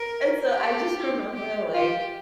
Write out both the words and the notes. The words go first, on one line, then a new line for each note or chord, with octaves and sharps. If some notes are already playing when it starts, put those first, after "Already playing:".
and so I just remember, like,
Already playing: A#4
G4
G4
F4 G4